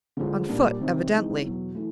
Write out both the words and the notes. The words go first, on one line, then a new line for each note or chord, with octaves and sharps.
On foot, evidently.
D3 F3 G#3
A#2 G3 A#3 D4
C3 D#3 G3 C4
E3 G#3 C4 D#4
E2 B2 F#3
E3 A3